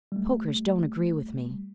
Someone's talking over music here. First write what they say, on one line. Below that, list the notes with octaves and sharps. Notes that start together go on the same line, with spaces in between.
Pokers don't agree with me.
G3 A3